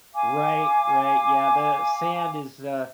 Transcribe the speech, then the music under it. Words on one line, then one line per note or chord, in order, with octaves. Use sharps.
Right, right, yeah, the sand is a
F5 G#5 D6